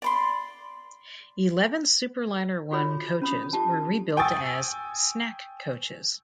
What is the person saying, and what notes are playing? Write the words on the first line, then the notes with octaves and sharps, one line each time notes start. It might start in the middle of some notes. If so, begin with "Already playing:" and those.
Eleven Superliner I coaches were rebuilt as "snack coaches".
D5 B5 C6
F4 F#4 G#4 C#5 B5
C#4 B5 D#6
F4 G4 A5
G5 G#5 C#6 D#6 E6 A6